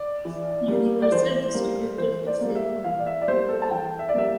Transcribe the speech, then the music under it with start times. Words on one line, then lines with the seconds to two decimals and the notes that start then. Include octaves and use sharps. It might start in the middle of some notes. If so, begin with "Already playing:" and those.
Universal distributed the film.
Already playing: D5
0.25 E3
0.68 G3 A#3
1.02 D5
1.11 E3 C5
1.54 G3 A#3
1.98 E3 C5
2.27 D5
2.41 G3 A#3
2.55 E5
2.84 E3 F5
2.99 D5
3.06 E5
3.21 D5
3.28 G3 A#3 C5
3.49 A4
3.62 A5
3.71 E3 G5
3.99 E5
4.09 D5
4.14 G3 A#3 E5